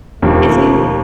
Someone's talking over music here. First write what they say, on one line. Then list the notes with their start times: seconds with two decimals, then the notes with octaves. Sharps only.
If you
0.22 E1 D#2 F3 A3